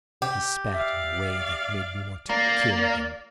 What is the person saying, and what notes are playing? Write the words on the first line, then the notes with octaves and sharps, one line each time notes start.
He spat--in a way that made me want to kill him.
G4
D5 E5 F5
A#3 D5